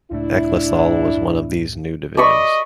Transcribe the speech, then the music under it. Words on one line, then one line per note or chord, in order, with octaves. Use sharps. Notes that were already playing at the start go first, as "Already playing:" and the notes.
Ecclesall was one of these new divisions.
C#2 A2 A3 D4 E4
D5 D#5 B5 C#6